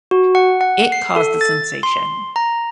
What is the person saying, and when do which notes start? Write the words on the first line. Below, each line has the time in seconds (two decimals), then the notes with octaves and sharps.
It caused a sensation.
0.11 F#4
0.35 F#5
0.61 F#5
0.92 C7
1.16 A4
1.41 A6
1.83 C6
2.36 A#5